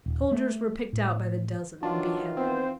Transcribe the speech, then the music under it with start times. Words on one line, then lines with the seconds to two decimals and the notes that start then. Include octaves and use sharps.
Soldiers were picked out by the dozen and beheaded.
0.06 D#1
0.32 A3
0.93 A2
1.83 D#3 E3 F#3 D4 F4
2.37 B3 C4 C5